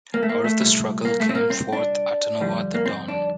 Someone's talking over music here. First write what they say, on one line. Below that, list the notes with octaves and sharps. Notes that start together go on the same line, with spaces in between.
Out of the struggle came forth Atanua, the dawn.
A#3
A3
A#3
A3
C2 A#2 G3
A#3
A3
C4
A#3
C4
D4
F2 D3 G3
A#3
C4
D4